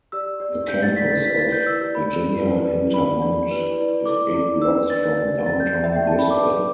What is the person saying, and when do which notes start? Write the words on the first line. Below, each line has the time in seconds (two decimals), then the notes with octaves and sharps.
The campus of Virginia Intermont is eight blocks from downtown Bristol.
0.12 G4 D5 E6
0.40 G4 D5
0.68 D4 G4 D5 G6
0.83 A6
0.96 D4 G4 D5 B6
1.11 A6
1.25 E4 B4 D5 B6
1.39 A6
1.52 E4 B4 D5 G6
1.66 E6
1.81 G4 D5
1.95 B5
2.09 G4 D5
2.37 E4 G4 B4 D5
2.65 E4 G4 B4 D5
2.93 D4 G4 D5 B5
3.21 D4 G4 D5
3.50 E4 B4 D5
3.78 E4 B4 D5
4.06 E4 A4 D5 D6
4.34 E4 A4 D5
4.62 D4 B4 D5 E6
4.89 D4 B4 D5 A6
5.18 G4 D5
5.46 G4 D5 A6
5.60 G6
5.74 G4 D5
5.84 E5
5.96 G5
6.03 G4 D5 A5
6.19 B5
6.30 D4 B4 D5 D6